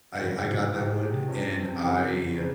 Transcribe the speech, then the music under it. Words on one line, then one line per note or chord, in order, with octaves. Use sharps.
I I got that one and I
E2 C#3 E3 F#4
E2 B2 G4
G#4
G4
F2 C3 F3 C#4
C4
C4
E2 C#3 E3 C4
C#3